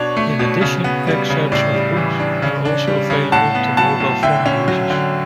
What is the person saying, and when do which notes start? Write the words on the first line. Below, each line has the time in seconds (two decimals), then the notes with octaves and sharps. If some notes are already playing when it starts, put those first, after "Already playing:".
In addition, excerpts of books are also available to mobile phone users.
Already playing: B2 D4 C#5
0.17 A3
0.39 B2
0.61 C#3
0.84 B3
1.07 G3
1.30 C#3
1.52 A2 D5
1.74 G3
1.97 E3
2.20 D4
2.42 C#3
2.65 D4
2.87 G3
3.10 C#3
3.32 A2 F#5 A5
3.55 B3
3.77 F#3 F#5 A5
4.00 A2
4.23 D3 E5 G5
4.46 C#4
4.68 F#3
4.90 D3